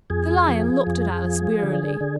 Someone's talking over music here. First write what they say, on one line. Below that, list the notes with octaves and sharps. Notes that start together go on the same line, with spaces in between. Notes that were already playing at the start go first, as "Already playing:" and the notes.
The Lion looked at Alice wearily.
F2 G#4
F3
F2
F3
D3
D3